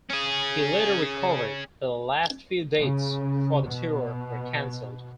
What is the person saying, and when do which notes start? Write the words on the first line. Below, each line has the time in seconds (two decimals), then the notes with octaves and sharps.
He later recovered but the last few dates for the tour were cancelled.
0.10 C#4 G#4
2.78 C#3
3.66 B2